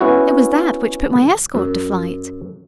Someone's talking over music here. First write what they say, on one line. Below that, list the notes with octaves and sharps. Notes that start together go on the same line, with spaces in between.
"It was that which put my escort to flight."
B3 C#4 E4 F#4
F#2